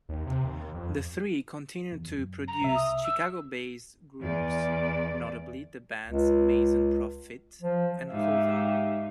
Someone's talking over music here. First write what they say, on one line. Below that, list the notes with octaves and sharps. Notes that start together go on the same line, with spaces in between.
The three continued to produce Chicago-based groups, notably the bands Mason Proffit and Coven.
D#2
C3
D#2
F2
E2
F#2
A#5
C2 E5
D#6
E6
E2 D5
C#2
F3
G#2 D#4 G4 E5 F5